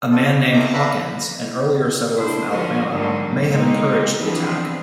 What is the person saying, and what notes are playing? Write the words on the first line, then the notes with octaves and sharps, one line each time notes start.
A man named Hawkins, an earlier settler from Alabama, may have encouraged the attack.
F4 A4
D5
A3 C4 D#4 A#4 A#5 D6
D4 B4 E5 F5 A#5 B5
D4 E4 C5
D3 F3 C#4 F4 F#4 A#4
G#2 D3 F#3 G3 A#3
G#3 A#3 C4 D#4 G4 A#4
E3 F3 G3 B3 C4 D4